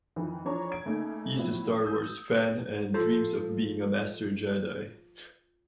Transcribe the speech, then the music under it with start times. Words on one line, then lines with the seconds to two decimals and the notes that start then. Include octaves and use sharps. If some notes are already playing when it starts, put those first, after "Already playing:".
He is a Star Wars fan and dreams of being a master Jedi.
0.16 F2 D#3 E3
0.45 E3 F3 D4 C#5 A#5 C#6
0.72 G#6 D7
0.86 C#3 A3 A#3 D#4
1.36 A2 F3 F#3 B3 E4
1.84 D#6 E6 G6
2.94 F3 A4 C5